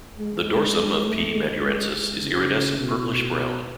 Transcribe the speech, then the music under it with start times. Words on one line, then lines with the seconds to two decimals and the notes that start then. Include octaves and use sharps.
The dorsum of "P. madurensis" is iridescent purplish brown.
0.18 G#3
1.05 A3
1.35 G#3
1.64 G#3
2.22 C#3
2.80 B2
3.09 B2